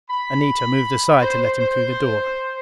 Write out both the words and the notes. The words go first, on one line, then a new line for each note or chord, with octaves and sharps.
Anita moved aside to let him through the door.
B5
C5
C5